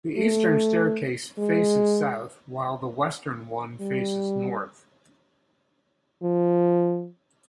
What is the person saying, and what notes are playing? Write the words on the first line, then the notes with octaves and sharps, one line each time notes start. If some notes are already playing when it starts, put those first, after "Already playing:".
The eastern staircase faces south while the western one faces north.
A3
G#3
G3
F3